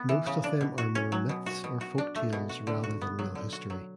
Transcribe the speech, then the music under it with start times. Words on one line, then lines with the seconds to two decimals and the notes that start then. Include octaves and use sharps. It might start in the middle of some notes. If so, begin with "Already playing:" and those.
Most of them are more myths or folktales rather than real history.
Already playing: B3
0.09 E3
0.26 C#3
0.44 D4
0.61 B2
0.78 F#4
0.95 C#4
1.12 F#3
1.29 B2
1.46 F#4
1.64 B2
1.81 F#4
1.98 D4
2.16 A3
2.33 B2
2.49 F#4
2.67 D3
2.84 F#4
3.01 B3
3.19 F#3
3.35 D3
3.53 F#4
3.70 F#3